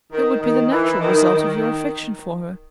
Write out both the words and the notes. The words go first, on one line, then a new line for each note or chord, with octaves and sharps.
It would be the natural result of your affection for her.
D#3
D#3
E3
D#3
D#3